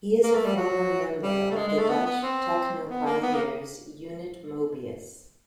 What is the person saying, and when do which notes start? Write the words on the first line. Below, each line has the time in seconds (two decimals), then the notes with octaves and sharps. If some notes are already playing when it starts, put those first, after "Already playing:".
He is a former member of the Dutch techno-pioneers Unit Moebius.
0.24 A#3
0.34 A3
0.45 G3
0.57 F#3
1.23 G3
1.51 A3
1.56 G#3
1.68 G#3
1.78 A3
1.89 B3
2.06 B3
2.23 C4
2.90 B3
3.06 A#3
3.23 B3
3.34 A#3